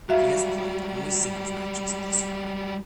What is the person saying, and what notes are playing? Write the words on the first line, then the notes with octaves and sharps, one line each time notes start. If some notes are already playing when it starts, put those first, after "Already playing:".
He has played only singles matches thus far.
F#3 G3 F#4 E5 F5